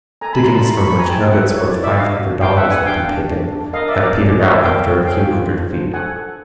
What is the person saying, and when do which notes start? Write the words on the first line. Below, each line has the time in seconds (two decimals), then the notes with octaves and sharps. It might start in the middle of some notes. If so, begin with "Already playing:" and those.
Diggings from which nuggets worth five hundred dollars have been taken have petered out after a few hundred feet.
0.21 A4 G#5 A#5
0.33 A5 B5
0.43 E4 A#5 C6
0.55 A5 B5
0.66 E4 A#5 C6
0.77 B5 C#6
0.87 A4 B5 C#6
0.98 G#5 A#5
1.09 E4 G5 A5
1.32 A4 E5 F#5
1.53 E4 C#5
1.68 D5
1.76 E4
1.83 D5 E5
1.97 D4 D#5 F5
2.19 F#4
2.41 D4 F5 G5
2.56 E5 F#5
2.63 B4
2.71 F#5 G#5
2.85 D4 F5 G5
3.08 D4
3.30 D4
3.52 D4
3.73 A#4 D#5 F5
3.88 D5 E5
3.96 A#4
4.03 D5
4.18 C#4
4.29 D5
4.39 C#5 D#5
4.50 D5 E5
4.61 A#4 F5 G5
4.84 C#5
5.05 C#4 F5 G5
5.28 F4
5.50 D4
5.71 C5
5.93 A4 F#5 G#5
6.16 A4